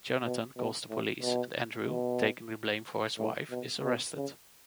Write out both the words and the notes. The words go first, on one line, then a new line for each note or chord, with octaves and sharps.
Jonathan calls the police, and Andrew, taking the blame for his wife, is arrested.
B2
B2
A2
B2
B2
A2
B2
B2
C#3